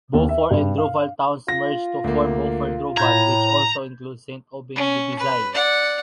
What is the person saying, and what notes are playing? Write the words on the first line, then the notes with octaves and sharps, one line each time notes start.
Beaufour and Druval towns merged to form Beaufour-Druval, which also includes Saint-Aubin-Lébizay.
D#2
E5
G2
F5
F4 A#6
D2 A#3
A2 A#5 B5 G6 G#6
C#4
B4
D5 F#5